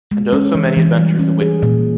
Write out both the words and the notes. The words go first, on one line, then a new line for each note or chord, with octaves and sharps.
And oh so many adventures await them.
G#3
C#4
E3
E3
G3
C#4
G#4
A#2